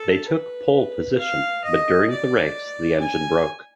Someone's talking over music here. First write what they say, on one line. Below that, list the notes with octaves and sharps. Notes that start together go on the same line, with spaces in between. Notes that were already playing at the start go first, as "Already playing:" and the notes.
They took pole position, but during the race, the engine broke.
Already playing: A4
B4
F5
D#5
D5
G#5